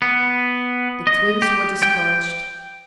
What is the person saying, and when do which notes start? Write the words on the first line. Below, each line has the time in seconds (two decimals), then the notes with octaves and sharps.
The Twins were discouraged.
0.02 B3
1.07 D#5
1.42 G4
1.83 G5